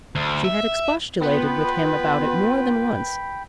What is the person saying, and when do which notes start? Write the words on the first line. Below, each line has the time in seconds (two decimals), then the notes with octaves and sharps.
She had expostulated with him about it more than once.
0.15 D2
0.44 E5
1.21 B3 F4 B4 G5 B5